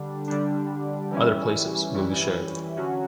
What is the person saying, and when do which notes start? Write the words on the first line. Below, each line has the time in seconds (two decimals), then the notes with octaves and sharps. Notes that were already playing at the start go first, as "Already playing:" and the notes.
Other places will be shared.
Already playing: D3 G3 D4
0.28 D3 G3 D4
1.11 E3 G3 C#4 E4
1.94 E3 G3 C#4 E4
2.77 D3 F#3 C#4 F#4